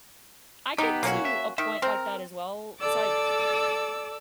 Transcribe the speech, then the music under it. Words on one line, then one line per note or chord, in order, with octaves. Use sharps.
I get to a point like that, as well. It's, like,
B3 D#4 G4
B1 A#3 C#4 F#4
E5
D#3 E5
C4 A#4
A4 D5 D6 E6